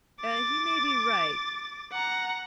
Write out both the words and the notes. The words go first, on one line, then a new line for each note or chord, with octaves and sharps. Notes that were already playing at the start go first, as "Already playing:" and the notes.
He may be right.
D6 A6
F#5 A#5